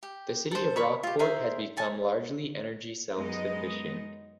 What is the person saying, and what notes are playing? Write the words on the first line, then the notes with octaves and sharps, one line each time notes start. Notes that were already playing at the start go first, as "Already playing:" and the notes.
The city of Rock Port has become largely energy self-sufficient.
G4
A4 C5
C#5 B5 C#6
F4 G4
G#4 A#4 C5 E5
A4 G#5 A5
F#2 G#3 B3 D#4 D#5